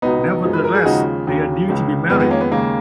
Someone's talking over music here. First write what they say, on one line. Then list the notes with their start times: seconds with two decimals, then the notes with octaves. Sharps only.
Nevertheless, they are due to be married.
0.02 C#2 B2 F#3 B3 D#4
0.44 F#2 F3 G#3
0.53 B4
0.64 A#4
0.75 G#4
0.85 D#2 C#3 F3 G#3 D#4 F#4
1.27 D#2 C#3 F#3
1.68 C#2 C#3 G#3
2.10 F2 D#3 G#3 B3
2.20 B3
2.30 A#3 C#4
2.41 B3
2.51 D#2 C#3 G#3 A#3